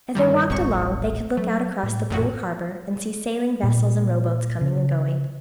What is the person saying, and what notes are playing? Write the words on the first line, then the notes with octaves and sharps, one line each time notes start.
As they walked along they could look out across the blue harbor, and see sailing vessels and rowboats coming and going.
G2 D#3 G3
D#1 A1 G#2 C4 C#6
F#3 A3
A2
A1 F#2 A#2 F#4
A#2
C#3